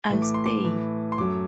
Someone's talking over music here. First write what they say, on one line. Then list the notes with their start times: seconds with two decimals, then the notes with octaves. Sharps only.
I’ll stay.
0.09 A2 E3 A3
0.22 D6
0.34 C6
0.46 D6
0.64 A2 E3 A3
1.12 C6
1.18 F#2 F#3 A3 D6